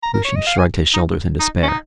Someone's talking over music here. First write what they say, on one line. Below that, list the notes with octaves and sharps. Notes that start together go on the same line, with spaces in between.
Lucian shrugged his shoulders in despair.
A#5
A#4
C#5
D#5
F5
G#5
D#4
D#4
C#4
D#4